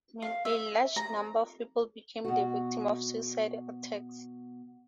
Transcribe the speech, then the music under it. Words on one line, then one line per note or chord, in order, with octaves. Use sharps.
A large number of people became the victim of suicidal attacks.
F5
E5
A#5
B2 F#4